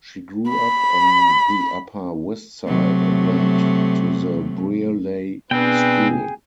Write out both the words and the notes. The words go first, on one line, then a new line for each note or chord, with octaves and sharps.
She grew up on the Upper West Side and went to the Brearley School.
B5
C3 F#3 A3
B2 C4 D4 G#4 B4 G5